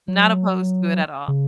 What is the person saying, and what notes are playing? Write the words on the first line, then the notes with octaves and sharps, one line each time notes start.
Not opposed to it at all.
F#3
C#3